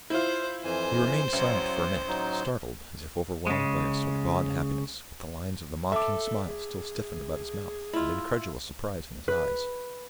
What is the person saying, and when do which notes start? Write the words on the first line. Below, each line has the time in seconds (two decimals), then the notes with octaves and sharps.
He remained silent for a minute, startled, as if overwhelmed by a sort of awed happiness, with the lines of the mocking smile still stiffened about his mouth, and incredulous surprise in his eyes.
0.10 E4 F4 C5 G6
0.64 F2 E3 C5 G#5
1.33 A1 F#3
2.08 F#3 D#4
3.47 C#3 G#3
5.92 A4 E5 A5 D6
6.48 G#4
7.93 E4 F4
9.28 B4